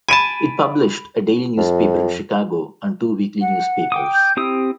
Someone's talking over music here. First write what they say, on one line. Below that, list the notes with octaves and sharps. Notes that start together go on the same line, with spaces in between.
It published a daily newspaper in Chicago and two weekly newspapers.
G#5 A5 B5 D7 D#7
F2
F#5
G5 D6 D#6
G6
C4 E4 G4 D#6